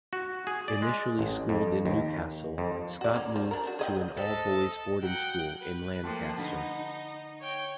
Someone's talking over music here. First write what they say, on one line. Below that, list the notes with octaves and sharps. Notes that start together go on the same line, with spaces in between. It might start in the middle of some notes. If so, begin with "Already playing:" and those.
Initially schooled in Newcastle, Scott moved to an all-boys boarding school in Lancaster.
F#4
G#4
D5
G#3
A1
F2
D#2
F2
F#4 D5
A#3 C#4
F3
D4 A#4
F#4
G#4 D#5 G5
A4 C5 D#5
F#3 A#4 F#5 G5
B4
F3 A3 A#3 C4 D5
D3 D#4 A#4 B4
C#5 G5